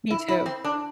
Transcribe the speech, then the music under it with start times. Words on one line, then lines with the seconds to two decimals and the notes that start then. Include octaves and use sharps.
Me too.
0.11 E4
0.28 E4
0.46 C4
0.65 D4